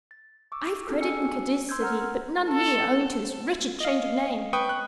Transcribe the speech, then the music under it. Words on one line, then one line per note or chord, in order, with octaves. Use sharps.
'I have credit in Cadiz,' said he, 'but none here, owing to this wretched change of name.
A6
C#6 D6 E6
C4 D#4 F#4 G#4 A4
C#4 D4 F#4 G#5 E6 C#7
C6 E6 G6 G#6
A#4 F#5 A#5 F6
A4
D#5 F5
B4 G5 C#6 D#6
F#6